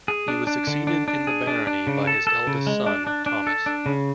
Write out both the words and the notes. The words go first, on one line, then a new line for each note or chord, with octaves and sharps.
He was succeeded in the barony by his eldest son, Thomas.
G#4
D4
D4
D3
D4
D4
G#4
D4
D4
C#3
A4
A4
C#3
G#3
D4
D4
D4
A4
D4
C#3